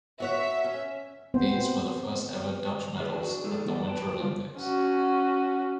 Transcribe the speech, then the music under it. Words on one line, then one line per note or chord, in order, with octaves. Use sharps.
These were the first-ever Dutch medals at the Winter Olympics.
F#4 C#5 E5 F#5
C#4
B3 C4 C5
D4 G#4 B4
D4 F4 F#4 G#4
G#3 A3 D4 D#4 G#4 A4
D3 E3 G3 B3 D5 D#5
B4 G5 A5
C#3 G3 F4
C#4 F#4